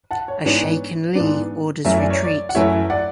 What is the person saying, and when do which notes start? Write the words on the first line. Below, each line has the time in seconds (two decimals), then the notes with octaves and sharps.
A shaken Lee orders retreat.
0.11 F#5 A5
0.28 C#5
0.46 G#2 E3 B3 D4 C#5
1.15 G#2 E3 B3 D4
1.85 F#2 E3 A3 E4 E5
1.98 D5
2.10 C#5
2.24 D5
2.49 F#5
2.55 F#2 E3 A3 E4 C#5 E5
2.90 D5 F#5